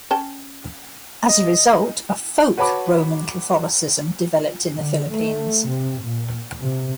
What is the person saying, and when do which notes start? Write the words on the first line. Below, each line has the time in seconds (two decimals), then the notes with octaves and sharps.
As a result, a folk Roman Catholicism developed in the Philippines.
0.11 C#4 G5 A5
1.29 D#5
2.58 F#4 B4 C#5 A5 B5 D6
4.76 D3
5.13 A3
5.67 C3
6.01 A#2
6.60 C3